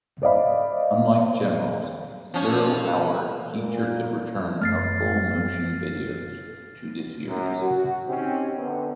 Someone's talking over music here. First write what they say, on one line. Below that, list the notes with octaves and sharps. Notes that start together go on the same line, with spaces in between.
Unlike "Generals", "Zero Hour" featured the return of full motion videos to the series.
C5 D5 D#5 F5 B5
F3 C#4
A#2
F#1 A3 F6 A6 C7
F#2
F#4
C4 C#4 D#4 G4
F#2 D3 B3